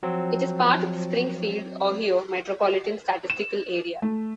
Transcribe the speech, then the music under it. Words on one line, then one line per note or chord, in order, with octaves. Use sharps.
It is part of the Springfield, Ohio Metropolitan Statistical Area.
F3 F#3 C4
E7
A3